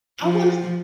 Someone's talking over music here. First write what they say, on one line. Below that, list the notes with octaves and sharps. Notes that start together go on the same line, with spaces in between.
I wanna
F3